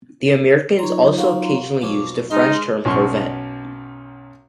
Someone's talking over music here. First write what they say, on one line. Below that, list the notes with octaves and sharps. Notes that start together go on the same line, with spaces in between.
The Americans also occasionally used the French term corvette.
F#3 D#4 F4 C#5 A#5
A#3 F#4
B1 F2 C#5 D6
G#3 D#4 C6 F6
B1 F#2 C6 C#6